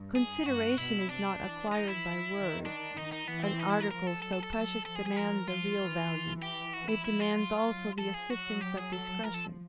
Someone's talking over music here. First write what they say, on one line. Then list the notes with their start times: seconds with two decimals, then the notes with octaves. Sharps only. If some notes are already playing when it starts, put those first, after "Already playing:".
Consideration is not acquired by words; an article so precious demands a real value; it demands also the assistance of discretion.
Already playing: G2
0.15 G#4
0.46 G2 F#4
0.78 B2 E4
1.09 C3 D4
1.40 E3
1.72 D#4
1.87 E4
2.35 D#3
2.66 D4
2.97 D#3 D#4
3.12 D#4
3.28 E3 B3
3.43 C4
3.59 D#4
3.70 E4
3.81 A#4
3.91 F3 A#4
4.07 A4
4.22 F#3 A4
4.33 A4
4.43 A4
4.53 F#3 A4
4.85 F3 A4
4.95 G#4
5.06 G#4
5.16 F3 A#4
5.47 F3 F4
5.80 E3
6.42 G4
6.73 F#4
6.89 E4
7.04 F3 E4
7.20 F4
7.36 F#3
7.68 F#3
7.98 F3 A4
8.14 G#4
8.30 F#3 F#4
8.61 G4
8.77 G#4
8.93 A4
9.24 F3 A#4
9.34 A4